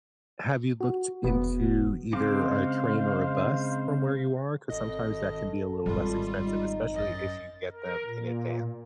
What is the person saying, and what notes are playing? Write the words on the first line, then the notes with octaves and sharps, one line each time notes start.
have you looked into either a train or a bus from where you are? 'Cause sometimes that can be a little less expensive, especially if you get them in advance.
F#4
F1 E2 B3
C#3 G#3 C4 C5 F5 D6
G#1 A4 D#5
G#1 G3 F4
D#4
F#2 D#5 A6
A#4
A#2